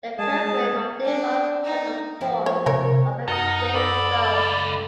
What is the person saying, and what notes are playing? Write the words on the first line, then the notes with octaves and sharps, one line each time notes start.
The Kirkegrim of Denmark took the form of a 'grave-sow'.
G#3 G#4 A5
D4
D#4
F3 A#3 E4
C#5
C3 A#4 C#5
F#2 D#4 A#4 F#5 D#6
C#2 A4 D5 B5